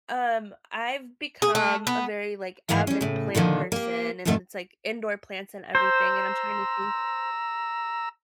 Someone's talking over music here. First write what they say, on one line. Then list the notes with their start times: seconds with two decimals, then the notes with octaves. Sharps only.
um, I've become a very, like, avid plant person, and it's like indoor plants and everything, and I'm trying to think
1.42 G#4
1.55 A3
1.87 B3
2.69 D#2 G#2 E3 A#3 B3 F5
2.87 G3 C#4
3.01 A2 C#3
3.35 A#2 D3 D#3 F3
3.72 A#3 G4
4.25 F2 G#2 B2 D#3 A3 A4
5.75 C5 A#5 E6